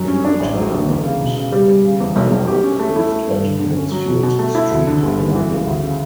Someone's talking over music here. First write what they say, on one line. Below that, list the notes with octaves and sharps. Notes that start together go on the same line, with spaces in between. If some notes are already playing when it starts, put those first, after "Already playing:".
In retirement Clarke lived at Mansfield Street in London.
Already playing: F#2 F#3
C#4
D4
A1
F#3
D3
E2
C#3
E1
C#3
G3
G3
C#3
E2
B1
B1
G4
C#4
A3
E4
A3
G2
D3
D3
C#4
F#3
B2
B2
A3
E4
D2
D3
G1
G1
E3
C#3
D2
C#3